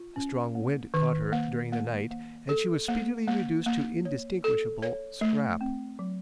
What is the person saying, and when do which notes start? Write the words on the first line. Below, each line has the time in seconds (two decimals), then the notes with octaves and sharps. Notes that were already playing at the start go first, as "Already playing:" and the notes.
A strong wind caught her during the night and she was speedily reduced to indistinguishable scrap.
Already playing: F4
0.16 C#4
0.55 A#3
0.94 D#3
1.32 A#3
1.72 A#3
2.11 A#3
2.49 A4
2.88 A#3
3.27 A#3
3.66 A#3
4.05 C#5
4.44 A4
4.82 C#5
5.21 A3
5.61 C4
5.99 F#3